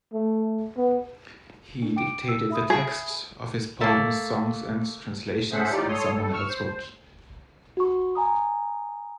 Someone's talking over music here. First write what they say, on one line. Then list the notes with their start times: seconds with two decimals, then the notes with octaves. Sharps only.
He dictated the text of his poems, songs and translations, and someone else wrote.
0.13 A3
0.77 B3
1.82 D4
1.96 G5 D6 D7
2.28 E6
2.50 E5 B5 D#6
2.70 G#4
3.81 A3 A#3
5.52 C#4 G#4 A4 C5 E5 F#5
5.71 E2 A2 D#4 F4 G4 D5
5.88 A4 C#5 C6 D#6
6.14 G3 A4
6.33 C#6 E6 F6
6.48 C5
7.77 F#4 C#6
8.15 G#5 A#5 D#6